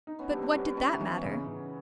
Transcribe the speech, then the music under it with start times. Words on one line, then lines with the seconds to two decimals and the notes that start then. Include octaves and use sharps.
But what did that matter?
0.07 D#4
0.19 B3 C#4
0.30 G3 C4 D4
0.42 C4 D4
0.54 G3 B3 C#4
0.65 B3 C#4
0.77 G3 C#4 D#4
0.88 D4 E4
1.00 E3 C#4 D#4
1.24 C#3
1.47 C#3